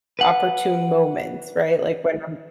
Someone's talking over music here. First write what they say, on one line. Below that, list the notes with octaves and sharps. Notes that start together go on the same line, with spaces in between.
inopportune moments, right? Like, when I'm
B4 F#5